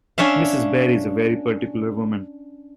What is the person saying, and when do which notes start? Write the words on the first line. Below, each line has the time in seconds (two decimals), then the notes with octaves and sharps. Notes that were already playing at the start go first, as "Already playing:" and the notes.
Mrs. Barry is a very particular woman.
0.18 C#4 D4 C#5 E5 F5